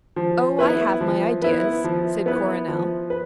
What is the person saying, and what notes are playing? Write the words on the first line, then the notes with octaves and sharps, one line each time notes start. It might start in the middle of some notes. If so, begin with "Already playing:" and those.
"Oh, I have my ideas," said Coronel.
F3
B3 E4 B4
F3
B3 E4 B4
F3
B3 E4 B4
F3
B4